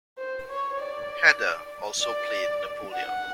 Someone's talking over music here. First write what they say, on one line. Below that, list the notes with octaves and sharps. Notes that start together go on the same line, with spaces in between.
Heder also played Napoleon.
C5
C#5
D5
D5
F#5